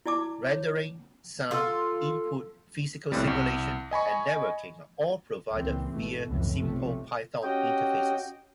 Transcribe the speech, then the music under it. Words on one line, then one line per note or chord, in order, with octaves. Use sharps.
Rendering, sound, input, physical simulation, and networking are all provided via simple Python interfaces.
E4 D5 A5 D6
C#5
F4 A4
B1 A2 C3 G3
C2
D#5 G#5 B5 C#6
C#2 A#2 E3 C4
G#1 B2 A3
F1 C#2 F#2 A2 E3
B1 C3 F3 A3
C#4 F#4 G4 D#5 G5